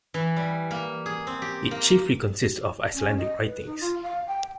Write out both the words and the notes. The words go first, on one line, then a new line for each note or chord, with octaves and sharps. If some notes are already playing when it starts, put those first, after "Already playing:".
It chiefly consists of Icelandic writings.
E3
G3
A#3
G#4
C4
G4
A#3
C#4
D#5
B4
D#4
F4
F5
G5